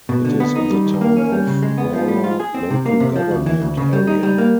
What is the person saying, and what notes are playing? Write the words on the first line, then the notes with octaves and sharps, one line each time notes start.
It is in the Town of Gawler local government area.
B2
D3
B3
D#4
G3
D#3
A#3
C#4
G3
C#3
G#3
B3
F3
G3
F4
G#4
C4
C3
A#3
C3
F3
D2
E3
D2
C#3
G3
D#4
G3
A#3